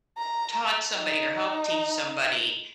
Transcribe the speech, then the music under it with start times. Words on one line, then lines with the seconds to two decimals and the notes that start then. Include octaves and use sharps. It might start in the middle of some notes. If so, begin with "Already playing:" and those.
taught somebody or helped teach somebody
0.18 A#5
0.95 D#4